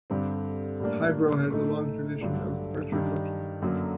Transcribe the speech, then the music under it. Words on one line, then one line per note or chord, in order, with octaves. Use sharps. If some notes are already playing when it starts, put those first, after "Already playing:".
Tibro has a long tradition of furniture production.
G2 D3 G3 C4
A2 G3 A#3 D4
A2 A3 D#4
G2 D3 F#3 A3 D4
G2 D#3 G3 D4
F#2 D3 F#3 A#3 D4